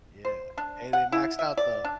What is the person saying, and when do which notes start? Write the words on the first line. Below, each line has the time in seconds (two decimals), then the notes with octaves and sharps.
Yeah, and they maxed out, though.
0.25 C5
0.58 D4
0.93 F#5
1.12 E4
1.39 E5
1.57 D5
1.85 D4